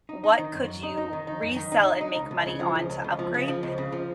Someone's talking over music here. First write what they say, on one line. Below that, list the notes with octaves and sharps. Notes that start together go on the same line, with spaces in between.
what could you resell and make money on to upgrade,
D#4
D#4
D#3
F#2
F#2
D#4
D#4
D#3
D#4
F#2
D#3
D#4
D#4
D#4
C#2
C#2
C#3
F3
C#2
C#2
C#2
F3
C#3
F3
C#2
C#3
F3